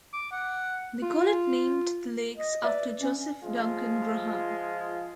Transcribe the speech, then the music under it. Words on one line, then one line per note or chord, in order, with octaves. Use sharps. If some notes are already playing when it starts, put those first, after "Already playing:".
Nicollet named the lakes after Joseph Duncan Graham.
D6
F#5
F4
D#5
B4 D5 E5
C#4
F3 G#3 F4